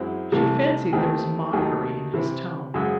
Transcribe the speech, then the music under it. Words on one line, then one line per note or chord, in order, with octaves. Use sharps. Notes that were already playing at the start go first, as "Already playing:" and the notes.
She fancied there was mockery in his tone.
Already playing: F#2 E3 G#3 C4 E4
C2 C3 E3 A3
D#2 D#3 A3 C4
D#2 D#3 F#3 A3 D#4
C3 E3 C4 E4
F#2 C#3 G#3